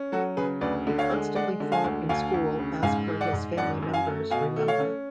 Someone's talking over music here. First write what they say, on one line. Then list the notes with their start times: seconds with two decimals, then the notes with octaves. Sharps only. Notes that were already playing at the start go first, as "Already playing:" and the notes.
He constantly fought in school as per his family members remember.
Already playing: C#4
0.12 F#3 F#4 A4
0.37 C#3 G#4 B4
0.61 D2 B4 D5
0.87 D3
0.98 C#5 F5
1.11 G#3
1.35 G#3 D5 F#5
1.60 D3
1.72 F5 G#5
1.84 D2
2.09 D2 F5 G#5
2.34 D2
2.58 C#3
2.83 G#2 F5 G#5
3.08 G#3
3.21 D5 F#5
3.33 G#2
3.57 F#2 D5 F#5
3.82 F#2
3.94 F5 G#5
4.07 A3
4.31 B2 F5 G#5
4.56 A3
4.68 C#5 F5
4.80 C#4